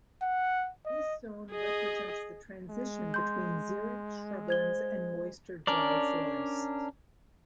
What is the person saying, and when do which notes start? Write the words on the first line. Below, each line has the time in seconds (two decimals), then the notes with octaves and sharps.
This zone represents the transition between xeric shrublands and moister dry forests.
0.23 F#5
0.85 D#5
1.52 G#4 D#5
2.70 G#3
3.14 C6 G6
4.48 C5 G#6 G7
5.67 C#4 D4 A#4 D5